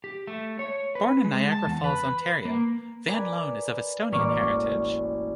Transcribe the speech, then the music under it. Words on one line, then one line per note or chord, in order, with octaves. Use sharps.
Born in Niagara Falls, Ontario, Van Loan is of Estonian heritage.
G4
A3
C#5
B4
G#3
A5
E2
B4
A#3
A#4 B4 D5 G#5
E1 A1 A#3 D5 C#6 F6